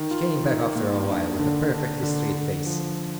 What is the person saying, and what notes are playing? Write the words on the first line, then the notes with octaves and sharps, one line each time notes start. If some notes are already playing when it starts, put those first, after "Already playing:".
She came back after a while, with a perfectly straight face.
Already playing: D#3
F4
D#3
A#3
D4
D3
D4
D3
D3
F3